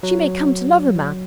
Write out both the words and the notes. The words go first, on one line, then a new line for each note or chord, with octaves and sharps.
She may come to love a man.
F#3